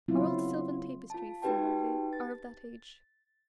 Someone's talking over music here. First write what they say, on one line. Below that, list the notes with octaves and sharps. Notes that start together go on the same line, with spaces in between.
Our old silvan tapestries, similarly, are of that age.
C#3 F#3 B3 C4 E4 F4
F4 A5
D#4 F#4 G4 B4 G5 A5
A6